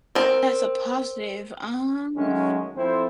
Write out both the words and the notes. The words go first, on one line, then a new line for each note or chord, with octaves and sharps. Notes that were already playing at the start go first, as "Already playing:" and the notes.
That's a positive. Um
C4 A#4
D#3 F#3 G#3 A3 C#4
F2 C4 E4 A4 C5